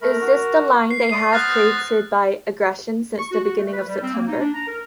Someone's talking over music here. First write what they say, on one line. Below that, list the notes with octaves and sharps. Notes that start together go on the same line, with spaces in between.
Is this the line they have created by aggression since the beginning of September?
A3 A#4 B5
F#4
C7
A3 D5 D#6
B3 C5 D#6 F6 F#6 A6 A#6
C#6
F#4
F#4
A3
B4
G3
C4
A#3
D#4
D4
A#5
A#4